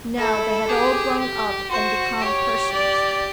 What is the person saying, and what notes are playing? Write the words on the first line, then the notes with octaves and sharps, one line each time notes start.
Now they had all grown up and become persons.
E4 A4
G4 G#4
G4
F#4 C5
G4 C#5
D5